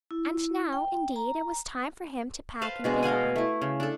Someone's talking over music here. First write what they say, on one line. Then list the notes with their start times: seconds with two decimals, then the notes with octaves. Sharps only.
And now, indeed, it was time for him to pack and begone.
0.11 E4
0.73 G5
1.16 A#5
2.62 B4 C5 F5 A5
2.84 B2 G#3 D4
3.03 D#5 F5 F#5 G#5
3.36 A3 E4
3.61 C#3
3.80 D4 A4